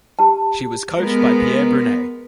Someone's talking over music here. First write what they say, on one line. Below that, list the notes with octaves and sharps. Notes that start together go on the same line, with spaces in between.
She was coached by Pierre Brunet.
G4 A5
G#3 B3 A#4